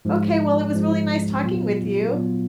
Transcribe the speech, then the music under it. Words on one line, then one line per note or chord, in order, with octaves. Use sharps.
Okay, well, it was really nice talking with you.
G#2 F3 G#3
G#2 F3 G#3
A#2 F#3 B3 F4
A#2 F#3 B3 F4